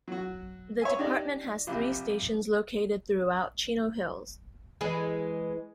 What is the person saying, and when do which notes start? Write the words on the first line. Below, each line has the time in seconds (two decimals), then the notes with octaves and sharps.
The department has three stations located throughout Chino Hills.
0.08 F#3 F#4
0.81 C#5 E5 G#5
0.98 D4 D#4 G4 D5
1.67 A#1 C3
4.81 E3 G#3 G#4